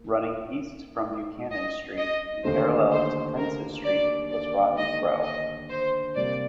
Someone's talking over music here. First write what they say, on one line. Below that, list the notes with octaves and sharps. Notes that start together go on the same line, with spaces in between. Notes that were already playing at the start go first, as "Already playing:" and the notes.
Running east from Buchanan Street and parallel to Prince's Street was Rotten Row.
Already playing: A#3
D#5
D#5
D#2 D3 A3 C5
C5
A#4
D5
D5
D#5
D#5
C5
C3 G3 A#3 D5